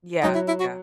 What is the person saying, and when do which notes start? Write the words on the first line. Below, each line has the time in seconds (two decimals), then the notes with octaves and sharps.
Yeah. Yeah.
0.23 F#3 D#4
0.35 E4
0.48 E4
0.60 F#4